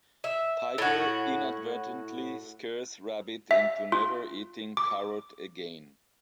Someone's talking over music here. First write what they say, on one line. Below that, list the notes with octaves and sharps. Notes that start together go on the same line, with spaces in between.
Tigger inadvertently scares Rabbit into never eating carrots again.
E5
A2 F#4
E5
F4
D6